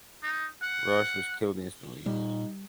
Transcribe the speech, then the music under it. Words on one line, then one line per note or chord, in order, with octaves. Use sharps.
Rosch was killed instantly.
D#4
F#5
A#2 G3 D#4